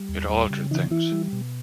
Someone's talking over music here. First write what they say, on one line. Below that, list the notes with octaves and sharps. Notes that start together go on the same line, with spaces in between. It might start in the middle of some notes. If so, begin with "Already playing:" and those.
It altered things.
Already playing: G3
D#2
G3
C#3
E3 D#4
E3 E4
G3
B2